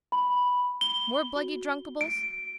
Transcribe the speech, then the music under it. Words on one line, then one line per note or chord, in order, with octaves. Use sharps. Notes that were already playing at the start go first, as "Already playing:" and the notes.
More bluggy drunkables?
B5
G7
F#4
D7